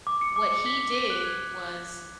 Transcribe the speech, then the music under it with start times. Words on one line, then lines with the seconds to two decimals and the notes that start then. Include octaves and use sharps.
what he did was
0.07 D6
0.21 C#7
0.36 D6
0.52 C#7
0.66 B6
0.81 D6
0.95 B6
1.10 F#6
1.24 G#6